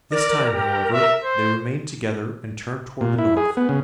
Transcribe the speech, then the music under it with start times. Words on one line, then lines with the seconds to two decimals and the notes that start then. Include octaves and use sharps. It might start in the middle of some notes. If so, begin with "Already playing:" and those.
This time, however, they remained together and turned toward the north.
0.12 A#4 D5
0.54 G4
0.93 E5
1.24 C5
3.01 A#2
3.18 E4
3.37 G#4
3.57 B3
3.69 C#3